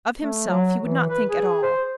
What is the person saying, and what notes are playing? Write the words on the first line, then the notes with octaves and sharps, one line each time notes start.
Of himself he would not think at all.
A3
F#3
E3
B4
G#4
C5